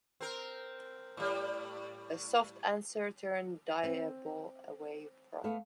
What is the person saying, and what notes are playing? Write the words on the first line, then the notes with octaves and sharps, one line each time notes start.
A soft answer turneth diabo away wrath.
C4 A#4
A2 G3
C4
A3 B3 F5